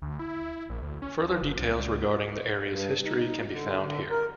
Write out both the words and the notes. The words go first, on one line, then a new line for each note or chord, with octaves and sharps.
Further details regarding the area's history can be found here.
D2
E4
A#1
D2
C#4
F3
F#1
C2
C#2
G2
D#4
D3
D3
A#4